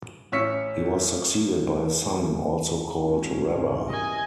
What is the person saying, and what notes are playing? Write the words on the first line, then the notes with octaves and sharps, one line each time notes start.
He was succeeded by his son, also called Rabbah.
A1 C#4 C#6 E6 B6 C#7
G#1 C#4
E2 G#2 C7
G4 A#4 D#5 G#5